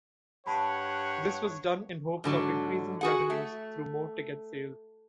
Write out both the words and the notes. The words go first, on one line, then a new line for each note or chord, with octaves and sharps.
This was done in hopes of increasing revenues through more ticket sales.
G2 C#5 F#5 A5 B5
G#2 D3 F#3
F#4 G#4 F#5
A3